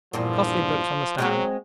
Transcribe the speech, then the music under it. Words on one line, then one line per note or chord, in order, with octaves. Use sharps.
Costly books on the stand.
E2 G2 A#2 F3
F#3 G#3 C4 F#4